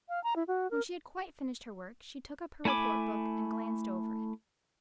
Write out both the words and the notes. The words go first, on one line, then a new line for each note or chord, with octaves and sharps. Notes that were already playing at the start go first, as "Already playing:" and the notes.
When she had quite finished her work she took up her report-book, and glanced over it.
F5
A#5
E4
F#4
A#4
A3 E4 G#5 B5 D6